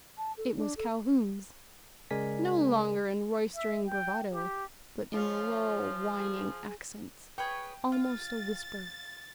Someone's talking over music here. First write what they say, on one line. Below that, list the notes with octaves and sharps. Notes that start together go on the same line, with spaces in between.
It was Calhoun's--no longer in roistering bravado, but in low whining accents, almost a whisper.
A5
A4
D4
A4
C#3 G#3 A#4 D5 G#5 B6
E5
G5
G4
F3 C#4 F4
G#4
G#4 B4 C#5 G5
F4 A6